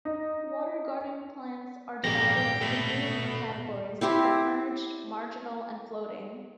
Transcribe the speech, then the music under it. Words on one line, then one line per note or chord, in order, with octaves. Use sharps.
Water garden plants are divided into three main categories: submerged, marginal, and floating.
D#4
D#1 G#1 F3 G#3 A#3 G4 A#6
G5
B2 A3
C4 E4 G4 C5